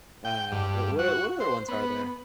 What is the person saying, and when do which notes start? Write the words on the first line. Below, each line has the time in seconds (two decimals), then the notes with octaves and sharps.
uh, w what o what other ones are there?
0.25 G5
0.52 G2
0.99 F#4
1.40 C5
1.68 B3